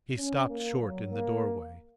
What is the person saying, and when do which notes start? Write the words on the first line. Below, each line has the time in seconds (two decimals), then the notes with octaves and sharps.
He stopped short in the doorway.
0.17 C#4
0.48 A#3
0.80 F#3
1.11 A#3